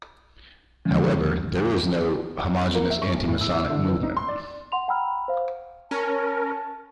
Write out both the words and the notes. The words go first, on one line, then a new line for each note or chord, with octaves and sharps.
However, there is no homogeneous anti-Masonic movement.
D3 E3 F3 G#3 C#4
A#3
E5
C#6
B1
A2
E6
E4
D3
E3
D#4
C6
D5
F#5 C6 F7
F#5 G5 A#5 B5 E6 F6
C5 F5
C#4 A#4 A5